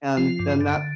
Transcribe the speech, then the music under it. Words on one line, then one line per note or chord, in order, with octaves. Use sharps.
and then that's
F3 F4
G2
D3